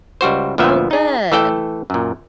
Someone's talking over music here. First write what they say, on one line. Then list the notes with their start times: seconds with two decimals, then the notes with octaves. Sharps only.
Oh, good.
0.21 C#2 G3 F#4 C5
0.58 D2 A#2 F3 B3 E5
0.91 D#4 G#4
1.32 E3 A3 A4 G5
1.90 F#2 A#2